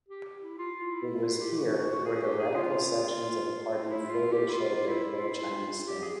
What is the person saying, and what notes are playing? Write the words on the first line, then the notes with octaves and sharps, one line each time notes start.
It was here where the radical sections of party further showed their pro-Chinese stand.
G4
E4
F4
F4
E4
F4
G4
F#4
F#4
F#4
G#4
G4
G#4
F4
E4
F4
G4
E4
F4
E4
F4
G4
G#4